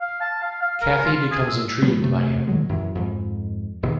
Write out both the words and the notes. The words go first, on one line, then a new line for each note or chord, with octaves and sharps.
Cathy becomes intrigued by him.
F5
A5
F5
F5
A#4
F4
G#4
E6
D3 F#3 A3 B3
C3 A3
A#2 D#3 F#3 G#3
F#2 E3
F2 G#2
E1 B2 D3 D#3